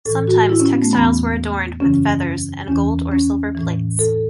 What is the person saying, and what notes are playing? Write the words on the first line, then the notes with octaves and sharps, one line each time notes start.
Sometimes textiles were adorned with feathers and gold or silver plates.
A2 E3 A4
F#4
E4
C#4
B3
A3
E2 E3 B3
F#2 C#3 E3 C#4
E2 E3 C#4
C#4
A2 E3
A4